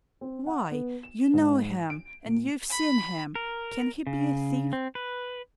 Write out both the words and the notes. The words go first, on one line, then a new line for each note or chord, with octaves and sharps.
"Why, you know him, and you've seen him, can he be a thief?"
C4
F#5
B3
E7
G#2
D7
A#2
B5
A#4
C#3
C4
B4